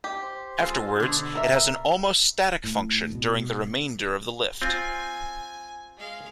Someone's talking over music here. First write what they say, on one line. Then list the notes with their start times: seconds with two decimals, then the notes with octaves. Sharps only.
Afterwards it has an almost static function during the remainder of the lift.
0.04 G4
0.23 C5
0.59 G#3 F4 A4
1.00 B2 D3
1.33 A#3 A#4 E5
2.64 A2
3.15 B2
4.62 C4 F4 G#5
5.97 G#3 F5